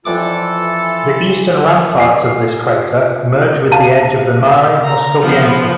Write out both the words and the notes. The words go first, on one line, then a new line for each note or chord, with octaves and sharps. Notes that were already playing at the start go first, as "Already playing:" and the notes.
The eastern ramparts of this crater merge with the edge of the Mare Moscoviense.
F2 E3 D4 F4 A4 D6
F4 G#5 C7
F5 A5 D#7
A#5
F3 B3